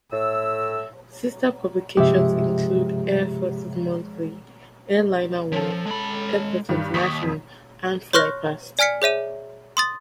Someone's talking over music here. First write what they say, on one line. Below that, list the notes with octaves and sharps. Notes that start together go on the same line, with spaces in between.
Sister publications include "Air Forces Monthly", "Airliner World", "Airports International" and "FlyPast".
A2 E6
G2 C3 F3 G#3 G4 E5
F3 C#4 A4
G#3 B5
G2 D#3
D#2 C#6 D#6 B6
F2
C#5 C6 C#6 F6 F#6 A#6
D5 G#5 F6 B6 C#7
G#4 C#5 E5 D#7
C6 D#6 A6